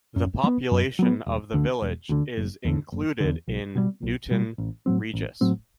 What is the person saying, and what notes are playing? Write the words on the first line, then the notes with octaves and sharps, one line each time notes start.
The population of the village is included in Newton Regis.
F#2
F#3
B3
F#2
F#3 B3
E1
D2 D3
E1
D2 D3
F#1
E2 D3
F#1
E2 D3
B1
B2 G3
B1
B2 G3
A1
A2 F#3 C4
A1
A2 F#3 C4